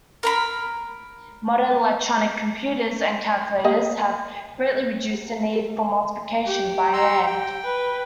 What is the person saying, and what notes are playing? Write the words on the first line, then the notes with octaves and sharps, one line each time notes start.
Modern electronic computers and calculators have greatly reduced the need for multiplication by hand.
A#4 A#5 B5
A#3 G4 D#5
G4
A#5 C6 E6
G5
B4